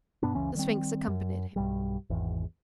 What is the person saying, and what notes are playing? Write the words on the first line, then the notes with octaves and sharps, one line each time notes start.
The Sphinx accompanied him.
G2 B2 B3 D4
F#1 C#2 E3 C#4
D#3 G3 C4
F#2
B1 G2 G3
G#1 E2